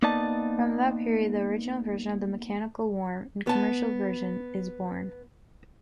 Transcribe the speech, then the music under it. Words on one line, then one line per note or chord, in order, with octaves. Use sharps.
From that period, the original version of “Mechanical Worm” in commercial version is born.
A#3 B3 D#4 D5 D#5 A5
B3 A5